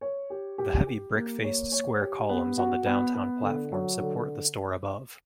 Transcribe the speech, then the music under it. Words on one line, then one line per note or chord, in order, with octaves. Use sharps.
The heavy brick-faced square columns on the downtown platform support the store above.
C#5
G4
G4
G4
A#3
C#5
C#5
G4
B3
F#4
B3
B3
D3
F#3
D3